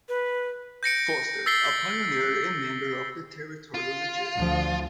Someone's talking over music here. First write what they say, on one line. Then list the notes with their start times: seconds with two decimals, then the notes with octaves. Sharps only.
Foster, a pioneer and member of the Territorial legislature.
0.09 B4
0.83 G6 A#6 C#7 D7
1.46 E6 A6 B6 C7 G7
3.74 F4
4.36 D2 F3